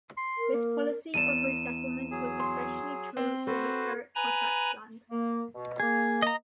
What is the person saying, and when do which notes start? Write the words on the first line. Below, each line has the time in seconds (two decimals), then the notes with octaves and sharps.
This policy of resettlement was especially true for the Terek Cossacks land.
0.17 C6
0.37 A#4
0.53 A#3
1.14 E2 A5 D#7 E7
2.11 F#3 G#4
2.40 C6
3.17 C4 C6
3.47 F#4 A4 B4 C5
4.15 B4 G#5 A#5 B5
5.10 A#3
5.53 B2
5.80 A#3 G#4
6.22 D#5 A#5